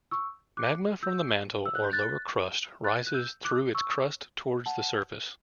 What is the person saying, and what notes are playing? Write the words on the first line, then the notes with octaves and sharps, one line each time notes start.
Magma from the mantle or lower crust rises through its crust towards the surface.
C#6 E6
D6 F#6
E6 G6
E6
F#6
G6
F#6 A6
F#6 A6
F#6
E6 G6
D6 F#6
C#6 E6
F#5 A5